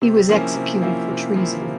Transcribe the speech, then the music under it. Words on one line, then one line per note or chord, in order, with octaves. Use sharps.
He was executed for treason.
C3
F3 A#3 C#4 E4
C3
F3 A#3 C#4 E4
C3
F3 A#3 C#4 E4
C3